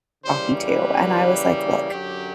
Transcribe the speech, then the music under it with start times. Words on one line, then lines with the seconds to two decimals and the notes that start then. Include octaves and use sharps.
talking to, and I was like, "Look,
0.24 C#3 E3 G3 A#3 C5
0.66 B4
1.90 F#2 D3 F#3 G4